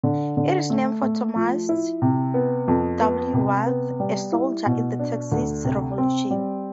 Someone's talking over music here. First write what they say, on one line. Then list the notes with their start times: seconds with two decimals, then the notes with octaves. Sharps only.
It is named for Thomas W. Ward, a soldier in the Texas Revolution.
0.03 D3
0.37 D3
0.70 A3
1.02 A3
1.36 F3
1.69 E4
2.02 C3
2.34 B3
2.68 F2
3.01 B3
3.34 C3
3.66 B3
4.00 G3
4.32 E4
4.66 B2
4.99 D4
5.32 D2
5.64 C3
5.98 C4
6.30 G3